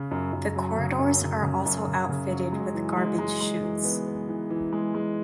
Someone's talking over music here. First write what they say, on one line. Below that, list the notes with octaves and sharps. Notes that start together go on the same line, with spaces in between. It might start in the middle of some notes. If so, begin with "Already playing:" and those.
The corridors are also outfitted with garbage chutes.
Already playing: C#3
F#2
F#2
F#3
C#3
F#2
C#3
C#3
F#2
C#3
C#3
F#3
G#3
E3
G#3
G#3
G#3
E3
B3
B3
E3
E3
G#3
G#3